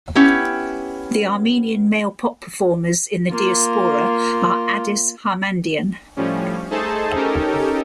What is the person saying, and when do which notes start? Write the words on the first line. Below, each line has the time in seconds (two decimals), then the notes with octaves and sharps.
The Armenian male pop performers in the diaspora are Adiss Harmandian.
0.15 B3 C#4 E4 G4
3.31 A#3 F4
6.17 A2 F3 G3 C#4
6.71 A3 D#4 G#4 A4 C5 A5
7.15 C#4 D#4 G4 A4 A#4